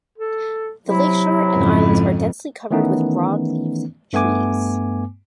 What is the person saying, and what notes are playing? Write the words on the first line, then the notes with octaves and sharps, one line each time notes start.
The lakeshore and islands are densely covered with broadleaved trees.
A4
C3 F#3 E4
F2 G#2 C#3
D#3 E3 A3 B3 C#4 D#4
G2 A3 B3 G#5 D6